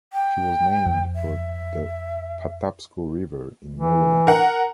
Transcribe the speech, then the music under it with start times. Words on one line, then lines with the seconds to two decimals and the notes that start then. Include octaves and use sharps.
She was named for the Patapsco River in Maryland.
0.13 G5
0.86 F2
1.15 E5
3.75 E3
4.27 A#4 F#5